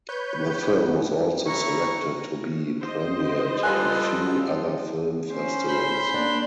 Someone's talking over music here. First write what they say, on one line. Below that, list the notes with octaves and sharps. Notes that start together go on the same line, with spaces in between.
The film was also selected to be premiered in few other film festivals.
B4 C#5 G6
D#2 E3 E4 C#5 A#5 C#6
C5 D#5
G3 F4 A4 B4 G#5 F#6
C#4 C5
B5 C6 G6
A#3 D4